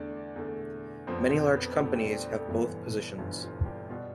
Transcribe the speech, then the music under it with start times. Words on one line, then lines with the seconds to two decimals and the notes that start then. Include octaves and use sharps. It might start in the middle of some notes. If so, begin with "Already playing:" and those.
Many large companies have both positions.
Already playing: E2 D3 A3 D4 D5
0.36 E2 D3 A3
1.07 F2 D3 F3 B3 C4 C5
1.30 C4 C5
1.54 B3 B4
1.77 F2 D3 F3 A3 B3 A4
1.94 G3 G4
2.13 G3 G4
2.31 A3 A4
2.48 G1 G2 E3 B3
3.18 G1 G2 E3 B3 F4
3.42 F4
3.65 G3 G4
3.89 B2 G3 B3 F4